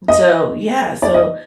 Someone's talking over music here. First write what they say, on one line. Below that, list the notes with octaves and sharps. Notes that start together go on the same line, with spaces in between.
And so, yeah. So,
D#5
D5
D#5